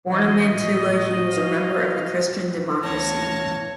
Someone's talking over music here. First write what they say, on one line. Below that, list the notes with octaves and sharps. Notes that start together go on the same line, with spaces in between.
Born in Mantua, he was a member of the Christian Democracy.
E3 D4 C5 D#5
A2 F3 F#4
F5
D2 E3 B3 C#4 C#5 A5 F6 A#6